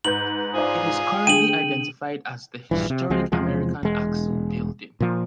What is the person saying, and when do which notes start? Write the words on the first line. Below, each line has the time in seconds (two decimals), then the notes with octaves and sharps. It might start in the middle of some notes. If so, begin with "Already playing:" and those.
It is currently identified as the Historic American Axle Building.
0.05 G#2 B4 G6 F#7
0.54 F4 C5 D5 G#5 D#6
1.27 D3 G#4 G5 D#7 F#7
2.71 A#1 G2 E3
2.90 C3
3.10 C#2 F3 G#3 C4
3.32 E2 C3 F3 G#3
3.83 E1 G#3
5.00 A#2 F3